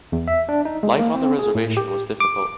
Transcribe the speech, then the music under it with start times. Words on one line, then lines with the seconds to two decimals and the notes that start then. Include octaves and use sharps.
Life on the reservation was difficult.
0.12 E2
0.28 E5
0.49 D4
0.65 D#4
0.83 G#3
0.99 A#3
1.14 C4
1.39 G#4
1.55 A2
1.77 G4
2.20 D6